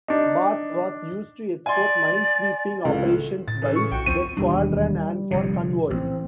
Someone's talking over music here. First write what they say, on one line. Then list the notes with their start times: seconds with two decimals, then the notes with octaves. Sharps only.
"Bath" was used to escort minesweeping operations by the squadron and for convoys.
0.08 D4 D#4
1.66 D5 G#5 C6
2.85 C#2 A2
3.48 A2 A6
3.62 C#3 E3 G#4 A4
3.76 C#6
3.92 A#1 F#4 G5
4.06 D2 F3 C4 D#7
4.37 E1 D#2 G3 D4
5.31 F1 F2 D3
5.90 A1 C4